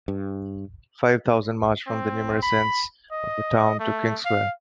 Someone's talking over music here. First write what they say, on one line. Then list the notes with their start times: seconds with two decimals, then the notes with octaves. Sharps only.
Five thousand marched from numerous ends of the town to King Square.
0.08 G2
1.87 C4
2.43 B5
3.12 D#5
3.80 A3
4.25 F5